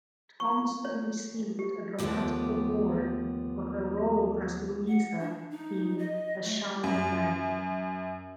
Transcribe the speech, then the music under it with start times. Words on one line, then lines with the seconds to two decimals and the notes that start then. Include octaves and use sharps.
Thompson received a Dramatic Award for her role as Luisa in "A Shayna Maidel".
0.40 C#6
0.85 C#5
1.59 G4
1.99 D#2 D3 F3 A3 B3 G4
4.88 F#5
5.19 D4
5.51 D#4
5.98 D#5
6.44 A3
6.84 F#2